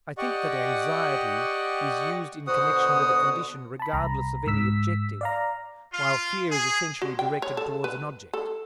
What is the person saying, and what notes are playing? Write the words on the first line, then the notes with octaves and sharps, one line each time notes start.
I think that anxiety is used in connection with a condition regardless of any objective, while fear is essentially directed toward an object.
G4 D5 D#5 F#5 C#6
B2 D3 B3 F#4 C5 F#5 D#6
A5 B5
C2 A#5 B5
G#2 E6 B6
D5 F5 A#5
F4
G#4
F#4
G5
C#5
A4
B4
A4